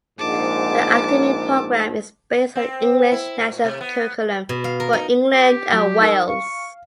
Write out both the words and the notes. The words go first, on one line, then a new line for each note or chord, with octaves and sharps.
The academic programme is based on the English National Curriculum for England and Wales.
A#1 G#2 A5 D6
C4
E4
A#2
C3
B3
B2
F5
A#4
D#4
G4
F#3
D#4 A#4 E6
F5 C#6